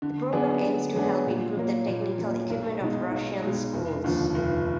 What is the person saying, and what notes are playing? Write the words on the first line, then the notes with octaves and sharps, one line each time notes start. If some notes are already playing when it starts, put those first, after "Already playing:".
The program aims to help improve the technical equipment of Russian schools.
D3
F#3 B3 D4 G#4
D3
F#3 B3 D4 G#4
A#2
F#3 A#3
A#2
F#3 A#3
B1
B2 G#3 D#4
B1
B2 G#3 D#4
F1
D#2 D3 F3
F1